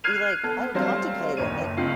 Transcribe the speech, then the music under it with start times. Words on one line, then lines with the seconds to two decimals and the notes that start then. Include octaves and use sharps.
be like I would contemplate it, like,
0.04 F6 F#6 G#6 C7 D#7 F7
0.43 B3 A4
0.75 F#3 G3 A3 C4 C5 F5
1.37 A#1 D#2 C#5 D#7
1.60 F#1
1.77 F#1 C#2 C4 F4 C7